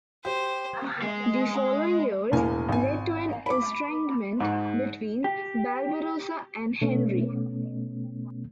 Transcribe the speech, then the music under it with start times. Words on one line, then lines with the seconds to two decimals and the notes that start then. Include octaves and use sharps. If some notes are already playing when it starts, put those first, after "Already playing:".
The following years led to an estrangement between Barbarossa and Henry.
0.25 G4 C5
1.02 G#3
2.32 E1 A2 A#3 G#5
2.69 G#1 G#5
3.46 B5 D6
4.40 G#2
5.24 G4
6.81 B2 A3 B3 C#4